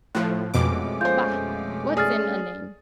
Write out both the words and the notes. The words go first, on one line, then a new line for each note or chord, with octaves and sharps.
Bah! what's in a name?
A2 F3 F#6
F2 B2 G#3 A3 C#4 D6
F4 C5 G6
G#4 D5 F6 A6